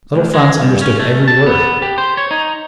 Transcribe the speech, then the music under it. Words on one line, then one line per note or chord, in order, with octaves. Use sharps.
Little Franz understood every word.
D2
G#3
G2
C#4
A3
A5
B3
G4
C5
C#5
D#4